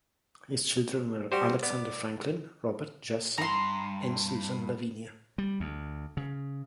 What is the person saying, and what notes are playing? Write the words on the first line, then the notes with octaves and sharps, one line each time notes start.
His children were Alexander Franklin, Robert, Jesse and Susan Lavenia.
G3 F#4 G4 C5
B3 D5
G2 A#5 C6
G3
D2
C#3